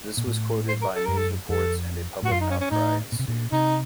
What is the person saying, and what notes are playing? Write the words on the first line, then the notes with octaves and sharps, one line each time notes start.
This was quoted by news reports and a public outcry ensued.
A#2
A2
C5
A#4
A4
F#2 A#4
A4
F2 A4
A2 F#4
F#2 F4
D#4
C#4
C#4
A2 D#4
A#2
C3
A#2
C3 D#4